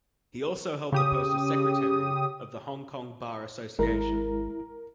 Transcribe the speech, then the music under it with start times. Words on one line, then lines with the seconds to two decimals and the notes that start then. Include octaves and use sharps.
He also held the post of secretary of the Hong Kong Bar Association.
0.92 C#3 G4 D#6
3.79 G#1 G#3 E4 A#4 A#6